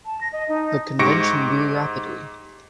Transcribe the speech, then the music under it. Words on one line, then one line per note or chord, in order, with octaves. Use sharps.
The convention grew rapidly.
A5
A#6
D#5
D#4
G#2 G4 C#6 A#6 C#7 D7